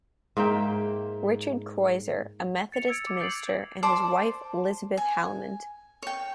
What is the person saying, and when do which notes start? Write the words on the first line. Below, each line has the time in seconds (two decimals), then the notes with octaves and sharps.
Richard Crozier, a Methodist minister, and his wife, Elizabeth Hallimond.
0.37 G#2 A#3 E5 G5
2.72 A6 C#7 F7
2.89 E6 G#6 D7
3.07 D6
3.20 D#6 G6 A6 C7 D7 F#7
3.83 C5 D5 A5 D6
4.97 G#5
6.03 C#5 G5